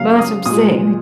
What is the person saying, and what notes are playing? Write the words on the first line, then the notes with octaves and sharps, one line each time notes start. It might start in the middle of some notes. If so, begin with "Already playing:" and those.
Well, that's what I'm saying and it
Already playing: C#3 F#3 A#3 F5
D#6
A#2 G#3 D#6